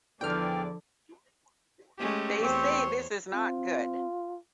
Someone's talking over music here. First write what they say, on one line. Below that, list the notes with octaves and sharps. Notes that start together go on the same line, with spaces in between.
They say this is not good.
E2 D3 F3 D5 G5 F6
G#3 A3 C#4 G4
E2 C4 C5 C#5 C#6
C4 F4